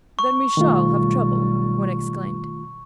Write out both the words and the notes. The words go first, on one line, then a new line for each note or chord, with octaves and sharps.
"Then we shall have trouble," one exclaimed.
C#6
B1 D#3 G3 A3 F4